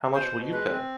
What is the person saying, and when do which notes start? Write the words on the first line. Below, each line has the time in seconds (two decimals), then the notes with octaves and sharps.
How much will you pay?
0.14 B2 C5
0.33 B2
0.52 G#3 B4
0.70 C4